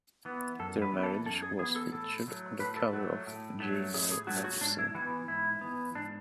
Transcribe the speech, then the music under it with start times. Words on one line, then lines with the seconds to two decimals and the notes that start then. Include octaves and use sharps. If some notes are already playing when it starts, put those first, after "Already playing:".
Their marriage was featured on the cover of Geni Magazine.
0.25 E3 B3
0.59 F#2 A4
0.82 B4
0.92 E3 B3
1.03 A4
1.25 F#2 A4
1.42 G#4
1.59 E3 B3 G#4
1.76 A4
1.92 A2 A4
2.27 F#3 A3
2.60 A2 B4
2.77 A4
2.93 F#3 A3 F#4
3.27 A2
3.60 F#3 A3
3.94 A2 G#4
4.12 G#4
4.27 F#3 A3 F#4
4.44 F#4
4.61 G#2 D4
4.79 E4
4.95 E3 F#4
4.98 B3
5.28 G#2 E4
5.61 E3 B3
5.95 G#2 D4